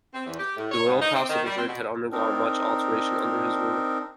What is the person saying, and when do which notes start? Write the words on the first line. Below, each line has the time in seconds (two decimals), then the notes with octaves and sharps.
The Royal Palace of Madrid had undergone much alteration under his rule.
0.13 C4
0.26 E2
0.38 G4
0.57 A2
0.71 C#5
0.86 G#2
1.02 D#4
1.15 C4
1.29 D#3
1.44 G3
1.56 C4
1.67 B2
2.12 C4 D4 D#4 A#4